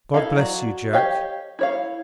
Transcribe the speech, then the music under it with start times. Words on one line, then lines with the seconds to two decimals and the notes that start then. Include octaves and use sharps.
God bless you, Jack.
0.14 E4 A4 D#5 F5
0.36 F#3 D5
0.93 G4 C#5 D#5 F5
1.59 E4 C#5 F5